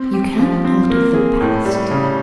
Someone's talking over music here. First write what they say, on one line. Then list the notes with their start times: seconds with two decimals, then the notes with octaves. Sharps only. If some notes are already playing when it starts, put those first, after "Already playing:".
You can't alter the past.
Already playing: C4
0.13 G4
0.39 F3
0.65 C4
0.90 A#3
1.14 G#4
1.41 A2
1.65 G3
1.91 C#3